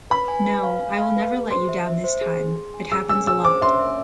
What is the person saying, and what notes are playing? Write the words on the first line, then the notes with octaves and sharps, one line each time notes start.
No, I will never let you down this time, it happens a lot.
B4 B5
G#5
B4
F5
G#5
F5
B4
G#4
C5 C6
E5
E5
C5
G#4
G#4
G#4
G#5
G#4 E6
G#5 E6
G#4 E6
C5 D6
E5 C6
E5